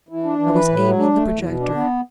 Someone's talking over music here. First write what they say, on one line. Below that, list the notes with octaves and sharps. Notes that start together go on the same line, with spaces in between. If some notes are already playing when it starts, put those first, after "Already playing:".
I was aiming the projector.
E3
D4
E3
B4
A2
F#3
D4
A3
E2
B2
D4
B3